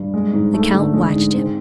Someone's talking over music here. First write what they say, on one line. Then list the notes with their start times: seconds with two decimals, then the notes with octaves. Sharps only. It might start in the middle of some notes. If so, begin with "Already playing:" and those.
The count watched him.
Already playing: G2
0.14 G#3
0.33 G#2
0.54 A3
0.74 D3
0.94 G#3
1.14 G#2
1.34 C4